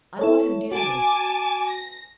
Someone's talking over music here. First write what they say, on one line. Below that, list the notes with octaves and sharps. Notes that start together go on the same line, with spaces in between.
I love him dearly.
E4 A4 C#5
F#4 G#5 A5 D6
A#6